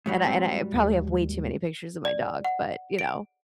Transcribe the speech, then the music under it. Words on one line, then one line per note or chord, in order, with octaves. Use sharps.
and I and I probably have way too many pictures of my dog, but, you know,
G#2 F#3 G3
C4
D#2
D5
F#5
D7